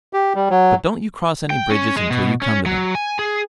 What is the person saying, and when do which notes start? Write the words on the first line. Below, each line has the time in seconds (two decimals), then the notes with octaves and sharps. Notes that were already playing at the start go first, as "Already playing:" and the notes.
But don't you cross any bridges until you come to them.
0.13 G4
0.35 G3
0.50 F#3
1.50 G5
1.71 C#4
1.97 G#3
2.10 B2
2.42 C#4
2.66 F#3
2.95 G#5
3.19 G#4